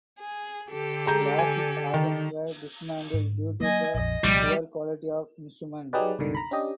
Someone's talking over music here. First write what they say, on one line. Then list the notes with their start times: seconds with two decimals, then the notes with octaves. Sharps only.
Classic organs were dismantled due to the poor quality of the instrument.
0.18 G#4
0.69 D3 G4 A4
1.06 G#3 A#5 G6
1.39 G#5
1.94 D#3
3.14 G#2
3.61 F#3 A#3 D#5 G#5
3.94 A#1 F2 D#5
4.24 C2 A#2 F3 G3
5.93 F#3 D#4 G4 G#4 B4 D5
6.19 C#2 G2 B2 D3 D#3
6.35 A#5 B5
6.51 C#4 D4 G4 D#5